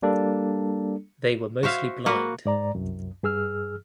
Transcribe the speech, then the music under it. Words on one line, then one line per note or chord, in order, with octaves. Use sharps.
They were mostly blind.
G3 A#3 D4 A4
F#4 C5 E5 F5
A#3 F#4 B4
G#2 D5 A#5
C2 F#2
G2 G#4 E6 F6